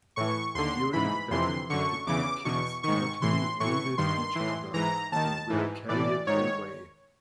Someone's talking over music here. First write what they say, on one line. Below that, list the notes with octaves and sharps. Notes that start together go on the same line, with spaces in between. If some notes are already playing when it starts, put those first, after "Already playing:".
During the battle, the two kings mortally wounded each other, and were carried away.
A2 E3 C#6
D#2 D3 C6
G#2 E3 B5
F2 C3 E3 C6
F#2 D3 C#6
E2 C#3 E3 D6
E2 B2 C#6
G#2 D#3 C#6
A2 E3 C6
A2 E3 C#6
G2 D#3 C6
A2 E3
G#2 E3 A#5
D#2 D#3 A5
G#2 E3
A2 E3 D5
G#2 D#3 C#5